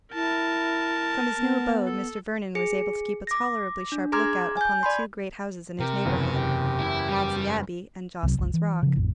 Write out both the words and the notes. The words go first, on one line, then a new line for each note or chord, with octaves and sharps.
From his new abode Mr. Vernon was able to keep a tolerably sharp look-out upon the two great houses in his neighbourhood--Maudesley Abbey and Jocelyn's Rock.
E4 A#4 A5
B3
A4
G#4 C#7
D6 A#6
D4
G#4 A#5 C6 D6 F6 G#6
G#5 G6
D5 B5 C6
C3 G4 A#4
F#1 E2
G4
E4
G3
C2 C3 F#3
G1 C#2
E3
C#3 F3
A1 F2